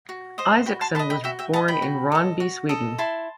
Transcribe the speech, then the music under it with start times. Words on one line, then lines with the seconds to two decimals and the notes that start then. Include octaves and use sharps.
Isacsson was born in Ronneby, Sweden.
0.09 F#4
0.38 C5 D#5
0.66 F#4 G5 B5
0.81 A5 C6
0.95 B4 A5 C6
0.99 D#5
1.10 G5 B5
1.24 F#4 E5 G5
1.39 E5 G5
1.53 B4 D#5 F#5 A5
1.68 G5 B5
1.82 F#4
2.12 A4 D#5
2.40 F#4
2.69 A4 D#5
2.98 E4 A5 C6